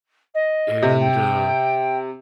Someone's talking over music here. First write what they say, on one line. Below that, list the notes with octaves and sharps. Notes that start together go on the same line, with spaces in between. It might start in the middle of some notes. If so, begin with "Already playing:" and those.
and, uh
D#5
C3
G5